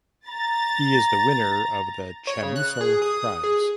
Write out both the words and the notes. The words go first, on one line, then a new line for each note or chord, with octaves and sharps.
He is the winner of the Chamisso Prize.
A#5 A6
C#5
C#3
F#6
G#4
D#6
G#4